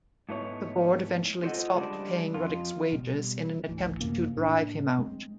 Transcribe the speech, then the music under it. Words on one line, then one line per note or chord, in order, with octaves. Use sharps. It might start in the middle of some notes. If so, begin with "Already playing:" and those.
The board eventually stopped paying Ruddock's wages in an attempt to drive him out.
G#2 A3 B3 E4 C#5
F4 A4 C5 D5 D#5 F#5
C#3 G3 G#3 D4
F2 F4
B2 G3
A1 D2 E3
F#2 C3 A#3 C#4
A2 C#4 D4
G#3 C4